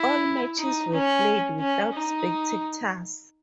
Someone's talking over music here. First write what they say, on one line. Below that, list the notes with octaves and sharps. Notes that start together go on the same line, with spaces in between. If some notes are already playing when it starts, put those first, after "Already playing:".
All matches were played without spectators.
Already playing: E4
D#4
C#4
C#4
D#4